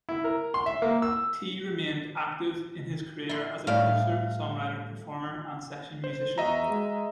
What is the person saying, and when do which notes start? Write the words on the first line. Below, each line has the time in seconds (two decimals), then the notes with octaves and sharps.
Tee remained active in his career as a producer, songwriter, performer and session musician.
0.09 E4
0.24 A#4
0.54 C6
0.66 E5
0.82 A#3
1.02 E6
3.29 E4 C6
3.67 A2 G3 A3 F5
6.04 C5
6.38 E2 E3 F#4 D#5 E5 A#5
6.68 G#3